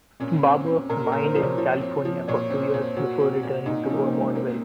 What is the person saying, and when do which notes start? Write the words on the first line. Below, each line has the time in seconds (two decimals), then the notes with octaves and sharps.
Barber mined in California for two years before returning to Vermontville.
0.20 A#2 C#4
0.43 C4
0.66 C4
0.89 A#2 A#4
1.06 A#4
1.12 A#2
1.23 C5
1.35 F3
1.41 C#5
1.58 F3 C#5
1.81 C4
2.05 F3
2.28 A#2 C#5
2.50 C4
2.63 C5
2.74 A#2
2.96 A#2 F#4
3.20 C4
3.43 A#2
3.66 A#2 D#4
3.84 C#4
3.90 F3 A#3
4.01 C4
4.13 C4
4.18 G#3
4.35 A#3 C4